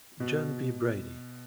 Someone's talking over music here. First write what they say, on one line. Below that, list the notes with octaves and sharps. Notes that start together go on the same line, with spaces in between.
John B. Brady.
B2